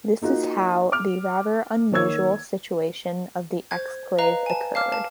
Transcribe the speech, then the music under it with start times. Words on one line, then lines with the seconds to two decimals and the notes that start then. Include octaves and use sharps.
This is how the rather unusual situation of the exclave occurred.
0.22 A#3 D#4 F4 F#4
0.92 D6 F6
1.92 D#3 A#3 C#5 E6 G#6
3.71 C5 F#6 G#6
4.19 B4 D#5 F5 A#5
4.46 G#5 A5
4.75 F5 A5 D6 F6
4.92 A5